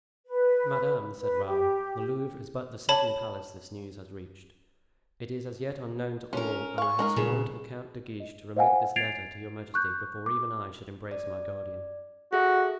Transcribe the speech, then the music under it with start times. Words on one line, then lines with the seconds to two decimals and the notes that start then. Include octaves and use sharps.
"Madame," said Raoul, "the Louvre is but the second palace this news has reached; it is as yet unknown to all, and I had sworn to the Count de Guiche to remit this letter to your majesty before even I should embrace my guardian."
0.26 B4
1.22 B4
1.46 G4
2.89 C#5 A5 B5 F#7
6.33 C#4 D4 F4 A#4
6.78 G#3 F5 C#6
6.99 G#3 A#3 D#4 A#4
7.16 G2 A#2 C#3 G#4
8.20 D#5
8.56 C5 D#5 F5 F#5 G#5
8.96 G#6 A6 C7 D7 F7
9.74 C#6 F#6 G6
10.26 D6
11.11 D5
12.33 F#4 G#4 A4 E5